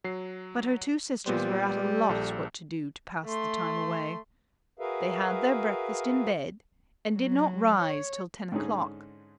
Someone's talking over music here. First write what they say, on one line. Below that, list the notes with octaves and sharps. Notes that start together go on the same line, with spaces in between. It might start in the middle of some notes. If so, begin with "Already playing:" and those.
But her two sisters were at a loss what to do to pass the time away: they had their breakfast in bed, and did not rise till ten o'clock.
F#3 C7
A#2 G3 B3 C5
A#1 A4
A3 C6
F#4 G#4 A#4 B4 E5 F5
F#3
C#5
G#2 D3 C#4 D#4 G#4